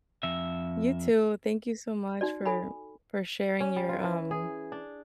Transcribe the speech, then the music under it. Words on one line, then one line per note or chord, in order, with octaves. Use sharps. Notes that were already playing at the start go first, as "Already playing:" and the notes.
You too. Thank you so much for for sharing your, um,
F2 E5
D#4 F#4 D5
A4 G#5 B5
C#4
G3
F4
E3
G#4
D4